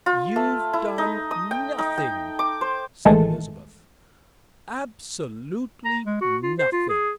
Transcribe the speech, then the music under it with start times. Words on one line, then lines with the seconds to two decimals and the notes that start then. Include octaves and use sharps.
"You've done nothing," said Elizabeth, "absolutely nothing."
0.06 F4
0.36 A3
0.73 E4
0.98 D#4
1.31 D#6
1.51 G5
1.78 D#4
1.98 G5
2.39 D6
2.61 C5
3.05 A1 D#3 E3 G#3 A3 A4
5.85 A#5
6.06 G#3
6.21 F#4
6.43 F4
6.59 C5
6.72 F4
6.89 G#4